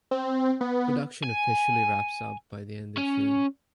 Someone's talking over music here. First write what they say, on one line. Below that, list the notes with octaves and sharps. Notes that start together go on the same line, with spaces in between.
Production officially wrapped up by the end of June.
C4
B3
G#5
C#4